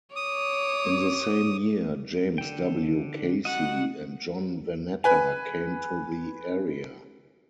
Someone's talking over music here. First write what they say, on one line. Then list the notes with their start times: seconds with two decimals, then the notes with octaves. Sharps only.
In the same year, James W. Casey and John Vanatta came to the area.
0.16 C#5 D6 D#6
2.38 D3 G5
3.45 G3 F#4 D#5 F#5
5.04 B4 G#5